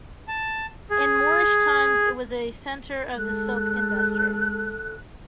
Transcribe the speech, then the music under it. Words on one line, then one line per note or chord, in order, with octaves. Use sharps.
In Moorish times it was a centre of the silk industry.
A5
G#4
G#3 A4 F#6